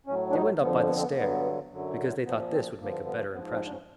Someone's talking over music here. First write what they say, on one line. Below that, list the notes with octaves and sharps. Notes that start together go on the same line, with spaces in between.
They went up by the stair, because they thought this would make a better impression.
A2 F#3 C#4
D4
D#4
F2 D3 F3 B3
B3
C4
B3
A#3
G2 D3 F#3 B3
F#2 D3 F#3
A#2 F3 B3
C4
G2 D3 F3 A#3
B3
G#2 F3 B3
C4
D4
C#4